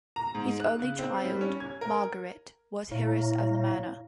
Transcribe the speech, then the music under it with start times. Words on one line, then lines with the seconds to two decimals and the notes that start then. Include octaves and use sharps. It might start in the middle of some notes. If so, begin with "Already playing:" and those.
His only child, Margaret, was heiress of the manor.
0.16 A#5
0.35 G#2
0.60 F#6
0.79 C#3
0.99 C4
1.25 G3
1.41 C#4
1.60 G#6
1.81 A#4
2.91 A#2 E4 C#5 F5 A#5